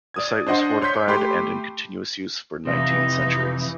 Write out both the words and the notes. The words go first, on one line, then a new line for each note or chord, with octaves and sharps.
The site was fortified and in continuous use for nineteen centuries.
D5 D#6 G#6
D4 C5 D#5 F#5 C6
C#5 C6 F#6 G6 B6
A3 G4 B5 C6
F2 C3 E3 D#4